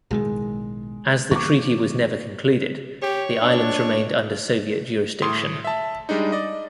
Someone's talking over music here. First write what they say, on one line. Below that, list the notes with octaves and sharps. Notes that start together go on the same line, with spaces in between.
As the treaty was never concluded, the islands remained under Soviet jurisdiction.
B1 A2 D#3 G#3
C#3 E3 A#3 C#6 D6
G4 C#5
D4
A2 C6 D#6
E5 A5
G3 G#3 D4 D#4
D5 D#5